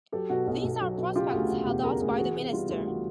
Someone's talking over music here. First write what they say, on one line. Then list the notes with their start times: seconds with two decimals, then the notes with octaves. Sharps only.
These are prospects held out by the Minister.
0.12 F#3 G4 A4
0.30 B2 F#4
0.47 B1 F#4
0.64 B1
0.81 F#3
0.98 B2
1.15 C#3 F4 G4
1.32 D2 F#4 G#4
1.49 E1 F#4
1.66 E1 F4 G4
1.83 C#3 G#4 A#4
2.01 D2 G#4 A#4
2.10 G4
2.17 E3 F#4 G#4
2.35 C3 F#4
2.53 G3 F4
2.69 D2 F4
2.87 E3 F#4